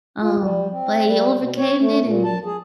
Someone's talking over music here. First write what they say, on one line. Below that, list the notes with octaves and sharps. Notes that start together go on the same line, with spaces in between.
um, but you overcame, didn't you?
F4
G3
C4
G3
B2
C#5
A3
A#2
A5
G#4